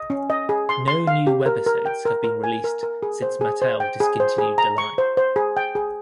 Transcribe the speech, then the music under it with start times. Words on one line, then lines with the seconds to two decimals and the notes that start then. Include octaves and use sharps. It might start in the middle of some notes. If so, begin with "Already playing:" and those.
No new webisodes have been released since Mattel discontinued the line.
Already playing: D#5
0.10 C#4
0.30 D#5
0.49 G#4
0.69 C6
0.88 C6
1.07 F5
1.27 G4
1.46 A#4
1.67 A#4
1.86 G5
2.05 A#4
2.24 A#4
2.44 G#5
2.64 A#4
2.83 A#4
3.03 G#4
3.22 C5
3.41 G#4
3.62 C5
3.80 G5
4.00 G#4
4.20 C5
4.38 G#4
4.58 A#5
4.78 C#6
4.98 C5
5.17 C5
5.36 G#4
5.57 G5
5.75 G#4